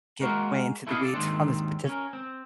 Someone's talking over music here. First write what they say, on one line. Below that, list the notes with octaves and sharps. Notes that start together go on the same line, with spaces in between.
get way into the weeds on the spetif
G#3 A#3 F#4 A#4
E4 A4 B4 D5 D#5 F5
A4 D5
D#2 G#2 D#3 C4 D4
C#4 A#4
C4